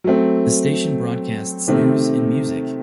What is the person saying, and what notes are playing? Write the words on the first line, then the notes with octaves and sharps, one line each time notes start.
The station broadcasts news and music.
F#3 A3 C4
C3 D#3 A3 C4